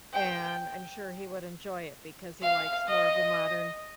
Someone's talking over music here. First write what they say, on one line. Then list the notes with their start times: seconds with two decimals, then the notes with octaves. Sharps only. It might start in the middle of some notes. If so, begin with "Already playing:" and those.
And I'm sure he would enjoy it because he likes more of the modern
0.13 G5
2.42 F5
2.88 D#5